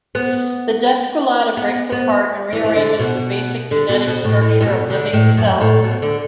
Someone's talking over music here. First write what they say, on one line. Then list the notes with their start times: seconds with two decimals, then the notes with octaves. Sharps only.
The Descolada breaks apart and rearranges the basic genetic structure of living cells.
0.15 B3
1.57 B3
1.92 B3
2.53 E3
2.64 E3
2.76 D3
2.99 B2
3.71 D3
3.89 B2
4.07 B2
4.24 A2
4.41 A2
4.61 A2
4.66 B2
4.90 D3
5.13 A2
5.37 F#2
5.61 A2
5.84 B2
6.02 D3